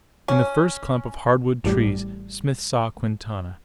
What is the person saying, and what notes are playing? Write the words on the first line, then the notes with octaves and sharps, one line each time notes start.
In the first clump of hard-wood trees Smith saw Quintana.
C#4
A1 A2 G3